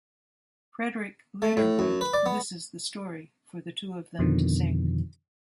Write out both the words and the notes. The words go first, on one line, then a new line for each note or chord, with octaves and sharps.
Frederick later wrote "This Is the Story" for the two of them to sing.
A3
A2
F#2
B4
D5
B3
F2 B2 D3 D#3 F3